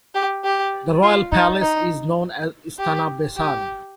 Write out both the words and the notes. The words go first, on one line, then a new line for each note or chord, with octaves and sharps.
The royal palace is known as "Istana Besar".
G4
G4
F4
D#4
D#4
G4
G4